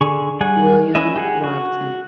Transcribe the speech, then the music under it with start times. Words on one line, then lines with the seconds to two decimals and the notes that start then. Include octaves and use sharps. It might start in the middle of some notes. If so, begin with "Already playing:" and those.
William Robson.
0.01 D3 G#4 C#6
0.41 G3 G#4 F#5 G#5
0.95 C#4 E4 D#5 E5
1.16 G4 G#4 F#5
1.44 F#4